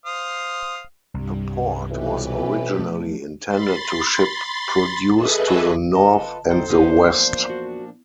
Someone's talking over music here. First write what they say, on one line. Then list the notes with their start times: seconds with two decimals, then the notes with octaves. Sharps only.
The port was originally intended to ship produce to the North and the West.
0.06 C5 F5 D#6
1.14 C2 G2 G3
1.90 B1 F2 B2 E3 G4 B4
2.79 F3 A3
3.46 B5 C6 A6
5.15 G#4 A4 B4 D#5 E5
5.95 F4 A4 B4 D#5 A5
6.50 D3 C4 D#4 A4 C5
6.70 A#2 F3 B3 D4 D#4 B4
6.97 E2
7.50 F#4